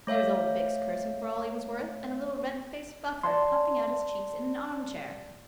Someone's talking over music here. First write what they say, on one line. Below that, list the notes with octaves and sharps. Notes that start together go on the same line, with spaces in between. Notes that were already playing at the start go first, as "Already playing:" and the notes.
There was old Bick cursing for all he was worth, and a little red-faced buffer puffing out his cheeks in an armchair.'
A3 C#5 E5 F5
D5 A5 C6